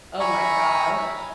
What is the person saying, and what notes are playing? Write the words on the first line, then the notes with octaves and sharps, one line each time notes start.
oh my gosh.
E5 G#5 A#5 B5 C#6